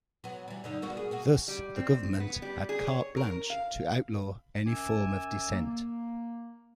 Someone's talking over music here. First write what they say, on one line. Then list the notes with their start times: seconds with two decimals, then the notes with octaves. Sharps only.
Thus the government had "carte blanche" to outlaw any form of dissent.
0.24 F#3 B3
0.48 E3 G3
0.64 G2 D3 D#4
0.82 A#3 B3 F#4
0.97 G#4
1.11 A#3 F#4 G#4
1.48 G3
1.76 C4
2.20 B3
2.42 G3
2.69 G#4
2.87 C#5
3.17 A#4
3.50 F5
4.66 F#2 D5 G#5 D6 E6
5.50 A#3